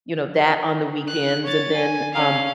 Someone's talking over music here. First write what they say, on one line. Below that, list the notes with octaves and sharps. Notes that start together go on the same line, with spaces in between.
you know, that on the weekends, and then, um
F#6
C#5 A6
G#5
C#4 F5